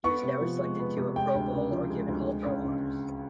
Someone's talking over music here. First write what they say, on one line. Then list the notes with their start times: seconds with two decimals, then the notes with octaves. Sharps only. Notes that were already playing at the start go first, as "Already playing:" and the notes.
He was never selected to a Pro-Bowl or given All-Pro honours.
0.04 B3 C#6
0.23 C3
0.41 F3
0.60 G#3
0.79 B3
0.98 C3
1.16 G#3 G5
1.35 D2
1.54 C#3
1.72 F3
1.90 G#3
2.09 D2
2.27 G#3
2.46 C#2
2.64 C#3